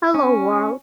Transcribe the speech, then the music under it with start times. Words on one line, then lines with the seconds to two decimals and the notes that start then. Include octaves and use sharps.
Hello world.
0.14 C#4